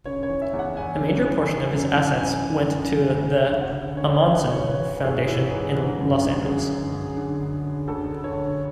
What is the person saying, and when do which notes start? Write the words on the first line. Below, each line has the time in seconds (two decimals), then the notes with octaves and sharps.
A major portion of his assets went to the Ahmanson Foundation in Los Angeles.
0.05 C#3 C#5
0.23 C#5
0.29 E3
0.42 E5
0.53 E2
0.59 F#5
0.77 E2 G#5
1.00 C#3
1.24 E3
1.48 E3
1.72 F#2
1.95 E3
2.18 F#2 G#5
2.43 E3
2.66 F#2
2.90 D3
3.14 D2
3.37 D3
3.61 D2 F#5
3.85 D3
3.97 C#5
4.09 D2
4.32 E3 B4
4.51 C#5
4.56 G#2
4.68 B4
4.79 E3
5.04 G#2 G#4
5.27 E3 E4
5.51 G#2 B4
5.75 D3 B4
5.98 F#2
6.22 D3
6.45 F#2 G#4
6.70 D3
6.93 F#2
7.16 D3
7.40 D2
7.64 D3
7.88 D2 A4
8.11 D3
8.24 C#5
8.35 D2